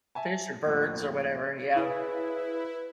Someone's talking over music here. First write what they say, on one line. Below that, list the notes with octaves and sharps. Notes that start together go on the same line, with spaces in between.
Fish or birds or whatever, yeah.
E5 G#5 A5
D#2 A2 F3
E4 G#4 B4 C#5 D#6